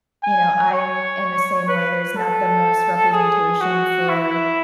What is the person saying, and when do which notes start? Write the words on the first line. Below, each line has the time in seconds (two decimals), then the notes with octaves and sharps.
you know, I am the same way, there's not the most representation for
0.23 G#5
0.72 C#5
1.68 B4
2.17 A4
3.12 G#4
3.61 F#4
4.09 E4